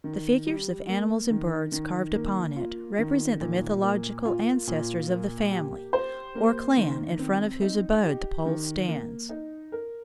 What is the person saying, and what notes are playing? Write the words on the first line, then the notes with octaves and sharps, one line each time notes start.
The figures of animals and birds carved upon it represent the mythological ancestors of the family or clan in front of whose abode the pole stands.
D#3
G3
A#3
D#3
D#3
A#3
F4
D#3
A#2
A#3
F4
A#2
A#3
G4
C5
A#3
D#3
C4
D#4
G4
D#3
A#3
D#4
A#4